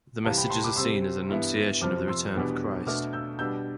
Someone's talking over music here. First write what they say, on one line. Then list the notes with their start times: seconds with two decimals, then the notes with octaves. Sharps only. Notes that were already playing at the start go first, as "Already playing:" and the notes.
The messages are seen as an annunciation of the return of Christ.
0.24 C2 C3 E3 F5 A5
0.37 G5 B5
0.50 A5 C6
0.63 B5 D6
0.76 C3 G3 C4 C6 E6
1.29 G2 E3 B3 E4
1.81 F2 C3 F3 D6 F6
2.08 C6 E6
2.35 E2 B2 G3 B3 D4
2.86 B2 A3 D4 D6 F6
3.13 E6 G6
3.39 B2 G3 D4 E6 G6